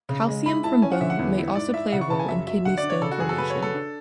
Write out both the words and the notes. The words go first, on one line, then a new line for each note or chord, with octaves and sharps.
Calcium from bone may also play a role in kidney stone formation.
C#3
G#3
E4 B5
E4 A5
C#4 G#5
F#5
D3 E5
F#5
E2
E4
G#2 D5
E4 E5
C#3 F#5
C#6
C#3 A5
G#5
F#2 E5
F#3 E5
D3 F#5
D5
D4
C#5
C#3 A4
F#4
F#2 G#4
A4
C#3 B4
C#5
C#3
A4
D4